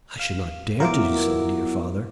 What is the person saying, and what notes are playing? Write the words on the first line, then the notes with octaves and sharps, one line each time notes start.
"I should not dare to do so, dear father."
F5
F#3 B3 E4 F4 A#4 D6